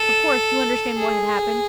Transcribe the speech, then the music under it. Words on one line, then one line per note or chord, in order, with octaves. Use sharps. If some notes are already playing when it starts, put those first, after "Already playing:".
Of course, you understand what had happened?
Already playing: A4
G#4